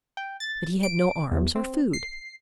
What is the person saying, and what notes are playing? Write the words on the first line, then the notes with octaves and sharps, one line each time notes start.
But he had no arms or food.
G5
A6
D7
E2
C4
C7